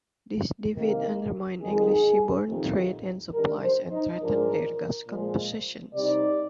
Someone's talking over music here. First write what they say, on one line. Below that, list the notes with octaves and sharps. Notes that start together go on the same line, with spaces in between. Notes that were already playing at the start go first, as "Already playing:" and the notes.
This defeat undermined English seaborne trade and supplies and threatened their Gascon possessions.
C3 D#3 A#3
F2 D#3 G#3 D#4 G#4
F2 C3 D#3
D#3 G3 D4 A#4
C5
D#4
G#2 F3 G#3 D4 A#4
A#2 F3 G#3
C3 G3 C4 D#4 D5